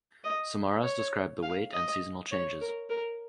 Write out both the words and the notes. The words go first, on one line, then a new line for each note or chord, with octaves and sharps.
Samaras described the weight and seasonal changes.
D#5
C#5
F5
D#5
C#5
A#4
A#4